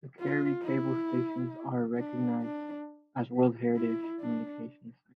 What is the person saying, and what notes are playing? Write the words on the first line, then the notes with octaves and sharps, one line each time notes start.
The Kerry cable stations are recognised as World Heritage Communications Sites.
F4
E4
D4
D4
E4
D4